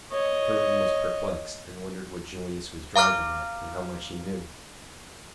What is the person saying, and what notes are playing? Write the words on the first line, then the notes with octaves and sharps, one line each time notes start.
Durham was perplexed, and wondered what Julius was driving at, and how much he knew.
C#5 D#5
F5 A#5 D6 F6